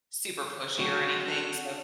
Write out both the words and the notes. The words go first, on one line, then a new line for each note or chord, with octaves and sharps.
super pushy or anything, so
D3 F#3 A3 C4 F#4
G3 G#3
D4 A4